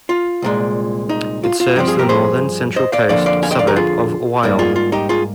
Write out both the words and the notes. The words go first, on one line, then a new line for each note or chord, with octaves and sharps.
It serves the northern Central Coast suburb of Wyong.
F4
C2 A#2 G#3
D#4
F4
F4
G2 F3 C4 D#4 G4
F4 G#4
G4 A#4
G#4 C5
C5 D#5
D5 F5
F2 D3 F3 A#3 D5 F5
D5 F5
F5 G#5
D#5 G5
D5 F5
G4 A#4
F4 G#4
G#2 G3 A#3
F4 G#4
F4
D#4 G4
F4 G#4